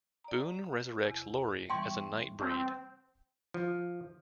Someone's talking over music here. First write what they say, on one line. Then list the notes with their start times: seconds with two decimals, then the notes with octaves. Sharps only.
Boone resurrects Lori as a Nightbreed.
0.24 D5 A#5
1.05 E2 C3
1.70 E3 G3 B3 G5 C6 C#6
2.41 C4
3.54 F3